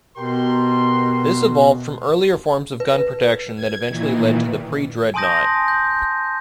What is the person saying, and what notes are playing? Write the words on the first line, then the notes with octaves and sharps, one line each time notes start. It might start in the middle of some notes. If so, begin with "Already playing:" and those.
This evolved from earlier forms of gun protection that eventually led to the pre-dreadnought.
B2 G4 A#4 C6
B4
G#6
A#2 D#3 E3
G#5 A5 C6 D#6 G6 A#6
G6